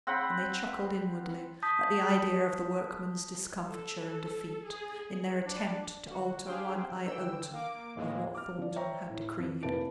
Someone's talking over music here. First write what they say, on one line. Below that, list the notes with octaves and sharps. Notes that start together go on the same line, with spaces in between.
And they chuckled inwardly at the idea of the workmen's discomfiture and defeat, in their attempt to alter one iota of what Thornton had decreed.
C4 F#5 G5 B5
A5 D#6 G6 B6
A4
G#4
D4 D5
D3 F#4
D4 G4 G#4 C5 F5 G5
D3 E3 G5 E6
A#3 D6
D#2 A2 E3 G#3 A#3
D6 F6
F3 D5
C5 C#5 E5 G5 A#5 C#6
A2
F2
F1 A#3 E4 B4 A5 D7